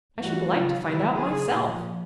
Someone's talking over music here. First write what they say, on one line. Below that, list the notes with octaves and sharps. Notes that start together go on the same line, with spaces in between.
"I should like to find out myself."
A2 E3 G3 F#4
C#3 F#3 F4
C3 D#3 F#3 E4
C#3 F#3 G#4
A#2 F3